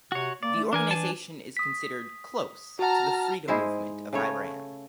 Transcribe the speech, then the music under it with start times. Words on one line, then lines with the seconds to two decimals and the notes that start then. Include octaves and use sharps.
The organization is considered close to the Freedom Movement of Iran.
0.12 C3 F#4 C#5
0.43 A#3 D5
0.55 A3
0.73 E3 D4 A#4 G#5
0.91 D4 G#5 A5
1.57 D#6 B6
2.79 F#4 F#5 A5 A#5 F6
3.48 G#2 G#3 E4 C5
4.13 C#3 A3 C#5